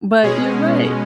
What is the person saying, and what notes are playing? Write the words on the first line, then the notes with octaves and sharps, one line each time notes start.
But you're right.
B2 G#3 C#4 G#4